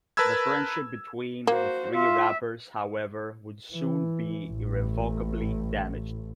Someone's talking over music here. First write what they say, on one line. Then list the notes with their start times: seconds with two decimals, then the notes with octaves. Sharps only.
The friendship between the three rappers, however, would soon be irrevocably damaged.
0.17 A#4 B4 A5 B5 E6 G#6
1.47 A#3 F#4 C5
1.95 F4 E5
3.74 E3
4.45 A1 A2